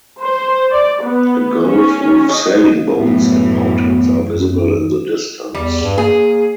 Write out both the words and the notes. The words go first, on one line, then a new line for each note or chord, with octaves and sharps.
A gulf with sailing boats and mountains are visible in the distance.
C5
D5
B3
C#4
D#5
F#2 A2 E3 B3
F#2
E2 G3
G2
A#3 G#4